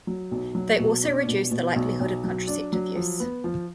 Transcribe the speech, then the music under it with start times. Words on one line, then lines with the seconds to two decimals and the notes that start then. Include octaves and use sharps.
They also reduce the likelihood of contraceptive use.
0.07 F#3
0.31 B1
0.55 F#3
0.79 B2
1.03 D4
1.28 B2
1.51 B2
1.76 B1
2.00 B1
2.24 F#3
2.47 D4
2.72 F#3
2.96 F3
3.20 B3
3.44 F3